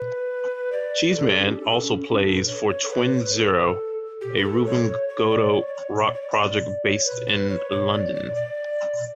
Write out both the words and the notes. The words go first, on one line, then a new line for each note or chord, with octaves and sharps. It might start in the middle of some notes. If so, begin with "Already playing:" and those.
Cheeseman also plays for Twin Zero, a Reuben Gotto rock project based in London.
Already playing: B4
D5
G4
A4
G4
C#4
D4
G4
A4
C#4
C#4
D4
A4
B4
C#5
C#5
A4
B4
C#5
B4
A4
G4
B4
A4
C#5
C#5
D5
C#5
D5
C#5
D5
C#5
D5
C#5
B4
B4
C#5
C#5
D5
D5
D5